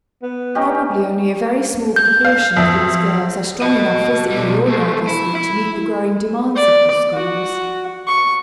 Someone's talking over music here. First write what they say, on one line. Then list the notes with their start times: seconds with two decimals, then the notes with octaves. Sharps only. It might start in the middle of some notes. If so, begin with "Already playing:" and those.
Probably only a very small proportion of these girls are strong enough physically or nervously to meet the growing demands of the schools.
0.22 B3
0.55 C#4 D#4 G4
1.96 G6
2.25 F5
2.57 F2 E5
3.62 F#4 D#5
4.30 B2 G3
4.68 G#3 A3
5.07 E4
5.35 E4
6.55 D5
7.13 F#4
8.07 C#6